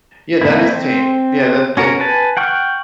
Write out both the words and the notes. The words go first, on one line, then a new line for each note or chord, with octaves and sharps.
Yeah, that is tame. Yeah, that's tame.
A3 A#3 C4 E4
C4
C#4 F#4 A#4
B4 G#5 A5
F#5 G5 C#6 F6